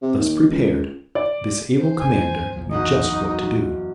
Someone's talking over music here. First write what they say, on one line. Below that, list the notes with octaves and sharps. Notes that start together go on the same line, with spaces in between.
Thus prepared, this able commander knew just what to do.
C3
D#2
C#2
D5
C5
D2 G2 D3 G#5
A#1 E2 F3
E1 F#2 D#4 D#5 F#5